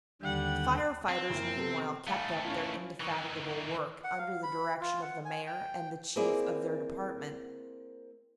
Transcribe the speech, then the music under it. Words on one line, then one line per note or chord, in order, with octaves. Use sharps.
The fire-fighters meanwhile kept up their indefatigable work under the direction of the Mayor and the chief of their department.
D#2 D3 G3 F#5 G5
C4
F#1 E4 A#4
C3 B3 A4
D#3 A3 F5 G#5 B5
C#4 E4 F4
D#3 E3 C#6
F#5
F5
B5
F4
F#5
G#5
G5
A#3 C4 E4 G#4 D5